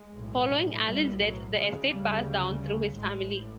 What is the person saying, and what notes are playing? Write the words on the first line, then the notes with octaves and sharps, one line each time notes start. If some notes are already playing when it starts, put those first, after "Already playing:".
Following Allen's death the estate passed down through his family.
Already playing: G#3
B1 A2
G3
F#3
D2 C#3 G#3
G3
A1 A2 G#3